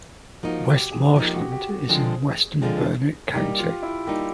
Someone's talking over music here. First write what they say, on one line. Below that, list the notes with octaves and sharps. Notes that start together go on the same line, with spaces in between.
West Marshland is in western Burnett County.
F3 A#3 D#4 F#4
G4
G#4
F3 A#3 D#4 G4
G4
F#4
G4
G4
D3 F3 G#3 C4 G#4
D3 F3 G#3 C4
G3 A#3 D#4 G4
F4
E4
G3 A#3 D#4 G4